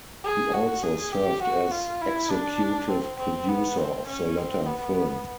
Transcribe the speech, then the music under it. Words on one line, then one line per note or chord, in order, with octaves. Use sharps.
He also served as executive producer of the latter film.
G#4
F#4
G#4
G4
F#4
F4
E4
D4
C4
C4
B3
C4
C#4
C4
B3